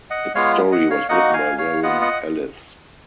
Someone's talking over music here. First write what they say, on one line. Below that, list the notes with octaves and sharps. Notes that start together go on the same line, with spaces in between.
Its story was written by Warren Ellis.
D#5 F#5
G#3 B3 F4 C#5 F5
D#5 F#5
C#5 F5
A#3 D#4 F#4 D#5 F#5
F5 G#5
C#5 F5
B3 F4 D#5 F#5
D#5 F#5